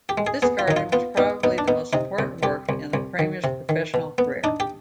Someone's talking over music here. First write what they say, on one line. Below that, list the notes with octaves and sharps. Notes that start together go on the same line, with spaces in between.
This garden was probably the most important work in Cramer's professional career.
G4
G#3
G#4
B3 G#4
F4
D#3 D#4
F4
B3 F4
B3 D#4
B3 D#4
D4
B3 D#4
C3 D#4
C2
C2 G4
C2
C2
D#3
C3
D#3
B2
B3
D4 D#4
G4